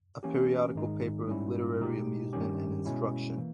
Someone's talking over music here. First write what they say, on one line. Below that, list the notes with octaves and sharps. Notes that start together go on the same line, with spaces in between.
A Periodical Paper of Literary Amusement and Instruction.
E3 A#3 C#4 G4
G#2 D#3 G#3 D#4
G#2 G3 C#4 E4
B2 G#3 D#4 G4
G2 D#3 G3 C#4 G4
B2 G#3 C#4 E4
E3 A#3